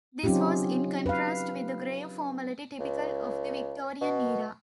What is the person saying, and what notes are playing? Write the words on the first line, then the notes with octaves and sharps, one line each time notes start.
This was in contrast with the grave formality typical of the Victorian era.
F#3 C4 C#4 D#4 F4 G4
B4 F5
C#2
B2